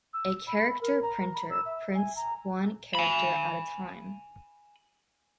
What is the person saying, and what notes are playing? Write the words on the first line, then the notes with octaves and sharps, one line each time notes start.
A character printer prints one character at a time.
E6
B5
A#4
A#5
B5
E6
E5
G#5
A#5
G#5 B5